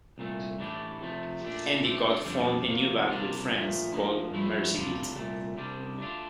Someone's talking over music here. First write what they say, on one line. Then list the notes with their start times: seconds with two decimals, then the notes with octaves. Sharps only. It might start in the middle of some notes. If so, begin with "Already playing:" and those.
Endicott formed a new band with friends called Mercy Beat.
0.18 C2 A#2 A3
0.59 A2 E3 A3 D4 G4
1.01 C3 F3 A3
1.42 A#2 A3 D4
1.83 D3 A3 C4
2.25 F2 D3 G3 D4
2.67 C3 F3 A#3
3.08 C3 G3 A#3 D4 F4
3.50 A#2 F3 A3
3.92 D2 D3 F3 A#3
4.32 G2 F3 A3 E4
4.73 D2 C3 G3 D4 F4
5.16 C2 A#2 A3
5.56 C2 C3 G3 D4
5.98 D3 A3 D4 F4